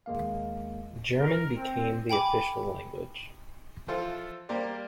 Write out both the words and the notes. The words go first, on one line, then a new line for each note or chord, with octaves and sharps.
German became the official language.
D#2 G#3 A#3 F5
A#4
C4
G5 G#5 B5 D6
E3 F3 F4 A4 C5
G3 A#3 G4 A#4 C5 D5